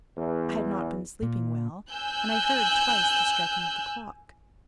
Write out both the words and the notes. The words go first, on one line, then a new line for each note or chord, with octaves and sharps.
I had not been sleeping well, and I heard, twice, the striking of the clock.
E2
A#2
G#5 E6 F#6 G6